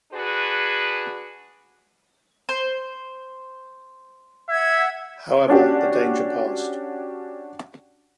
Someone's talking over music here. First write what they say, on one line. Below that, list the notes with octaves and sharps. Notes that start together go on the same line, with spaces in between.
However, the danger passed.
D4 F#4 G#4 B4
C5
E5 F#5 G#6
C#4 D4 F#4 G4